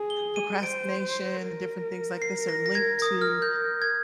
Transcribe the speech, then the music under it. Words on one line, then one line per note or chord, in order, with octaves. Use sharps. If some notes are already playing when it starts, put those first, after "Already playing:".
procrastination and different things like this are linked to,
Already playing: G#4
G7
D#7
C5 D7
A#4
C7
A#6
A#6
G#6
D#6
F6
G6
G#6